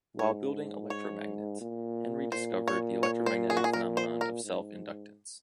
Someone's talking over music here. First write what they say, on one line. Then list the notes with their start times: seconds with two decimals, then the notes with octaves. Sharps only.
While building electromagnets, Henry discovered the electromagnetic phenomenon of self-inductance.
0.19 G#2 C#5
0.90 C#5
1.61 A#2
2.32 A#2 C5
2.68 C#5
3.03 C#5
3.26 C5
3.50 G#4
3.57 F#4
3.64 G#4
3.73 A#4
3.97 C5
4.21 A#4
4.44 G#2